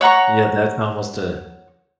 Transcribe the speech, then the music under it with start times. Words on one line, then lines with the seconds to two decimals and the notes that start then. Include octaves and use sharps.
Yeah, that's almost a
0.01 C#5 F#5 A#5 C#6